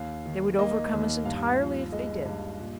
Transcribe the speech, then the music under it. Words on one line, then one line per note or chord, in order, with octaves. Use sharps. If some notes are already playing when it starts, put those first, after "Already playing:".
They would overcome us entirely if they did.
Already playing: D#2 F5
D#3
A#3 D#5
D#2
G2 F5
F3
G#3 D#5
G2
A#2